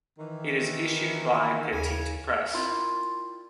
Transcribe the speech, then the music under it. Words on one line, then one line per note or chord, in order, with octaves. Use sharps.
It is issued by Petit Press.
D#3 E3
E5 G#5 B5
D#2 C#3 G#5
C4 E4 F4 A#4 D5